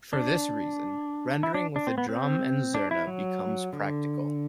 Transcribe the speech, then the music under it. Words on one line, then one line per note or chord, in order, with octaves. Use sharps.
For this reason, rendering with a drum and zurna becomes practical.
D4
E4
D4
D4
C4
B3
C4
D4
E4
F#3
D3